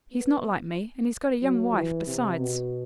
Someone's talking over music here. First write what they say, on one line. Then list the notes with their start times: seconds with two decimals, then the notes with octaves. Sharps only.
He's not like me, and he's got a young wife besides.'
0.12 B3
1.42 F#3
1.74 E3
2.07 C3
2.39 B2